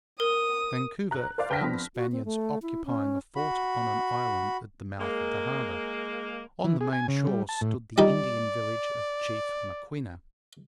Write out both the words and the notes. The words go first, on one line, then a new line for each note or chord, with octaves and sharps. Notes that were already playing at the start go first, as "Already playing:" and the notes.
Vancouver found the Spaniards occupying a fort on an island at the mouth of the harbour. On the main shore stood the Indian village of Chief Maquinna.
A#4 D#6
A#5 F#6
A#4 C5 D5 F5
B4 G5 A5 F6 A#6 B6
F3 B3 C4 D4
F#4
C4
A3
E4
C#4
F#4 B5
G#3 A#3
E3
G#4
G#5
C#3
G3
A5
A2
G3 D#4 D5